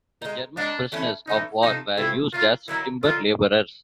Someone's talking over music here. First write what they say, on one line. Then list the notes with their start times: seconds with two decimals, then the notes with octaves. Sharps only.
The German Prisoners of War were used as timber laborers.
0.22 G#3 C4 D#4
0.57 G#3 C4 D4 D#4
0.92 E3 A3 C#4
1.27 E3 A3 C#4 D#4
1.62 C3 F3 A3 C4 D#4
1.97 C3 F3 A3 C4 E4
2.32 D#3 F#3 A#3 F4
2.68 D#3 F#3 A#3 E4
3.03 D3 F#3 A#3 D#4 F4